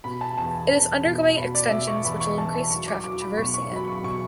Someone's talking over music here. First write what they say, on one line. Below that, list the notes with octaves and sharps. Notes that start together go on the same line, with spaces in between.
It is undergoing extensions which will increase the traffic traversing it.
B2 B5
A5
E2 A5
G#5
E2 A5
B2
B2 B5
D5
B2 E5
C#6
E2 B5
C#6
E2 A5
A5
F#3 C#6
D6
F#3 D6
B5
B2 C#6
C#6
F#3
B5
C#6
B2 C#6